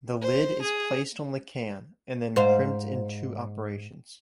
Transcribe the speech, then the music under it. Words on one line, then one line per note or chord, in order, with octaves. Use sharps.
The lid is placed on the can, and then crimped in two operations.
C5
G#4
G#2 C5 F5